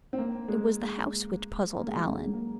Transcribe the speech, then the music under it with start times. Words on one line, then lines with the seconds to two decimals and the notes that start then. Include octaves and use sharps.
It was the house which puzzled Alan.
0.13 C4
0.18 A#3
0.48 G#3
1.79 A#3
1.87 G#3
1.94 F#3
2.15 G#3
2.33 A#3